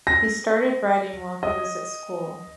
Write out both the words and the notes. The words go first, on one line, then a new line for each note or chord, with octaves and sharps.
He started writing while he was at school.
A#6
D#5